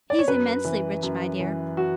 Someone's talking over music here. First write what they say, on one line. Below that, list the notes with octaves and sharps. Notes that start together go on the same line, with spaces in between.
He's immensely rich, my dear.
D5
C#5
F#2 B4
E3
F#2
E3
F#4